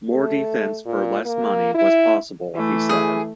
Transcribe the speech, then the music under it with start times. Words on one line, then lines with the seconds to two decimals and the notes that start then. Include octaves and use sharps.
More defense for less money was possible, he said.
0.10 A3
0.85 A#2
1.26 A#3
1.74 E4
2.56 E3 A3
2.89 G#4